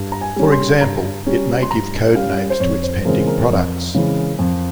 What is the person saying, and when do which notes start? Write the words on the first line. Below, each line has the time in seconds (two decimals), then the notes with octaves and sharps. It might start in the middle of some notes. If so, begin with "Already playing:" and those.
For example, it may give code names to it's pending products.
Already playing: G2
0.12 A#5
0.21 G#5
0.36 G3 C#4
0.52 C6
0.81 G2 A#5
1.26 G3 C#4
1.62 C6
1.71 G2 A#5
2.15 G3 C#4 F5
2.50 C5
2.60 F2 C#5
2.83 C5
3.05 C#3 E3 G#3 C4 A#4
3.27 A#4
3.50 F2
3.94 C#3 E3 G#3 C4
4.39 F2